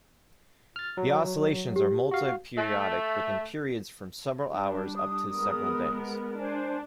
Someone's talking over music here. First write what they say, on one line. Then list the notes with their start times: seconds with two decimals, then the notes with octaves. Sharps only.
The oscillations are multi-periodic with periods from several hours up to several days.
0.76 F6 A6
0.97 F#3
1.76 G4
2.11 F#4 F5
2.57 A3
4.49 G3 D4
4.96 D#6
5.33 G#3 B3 A#4
6.39 D4 C5 G#5